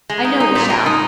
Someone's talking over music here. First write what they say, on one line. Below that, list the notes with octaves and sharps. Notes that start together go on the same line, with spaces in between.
'I know we shall.
G#3
D#4
D#4
A#2
A#2
D#4